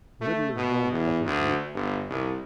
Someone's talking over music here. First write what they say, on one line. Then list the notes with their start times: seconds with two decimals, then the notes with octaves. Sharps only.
Little is known of his youth.
0.21 A3
0.56 B2
0.92 E2
1.25 D2
1.74 G1
2.10 C2